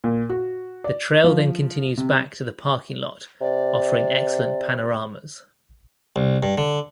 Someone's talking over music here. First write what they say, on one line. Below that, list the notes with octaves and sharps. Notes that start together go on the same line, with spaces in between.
The trail then continues back to the parking lot, offering excellent panoramas.
A#2
F#4
D5
F3
C3
C3 D5
C2
G2
D3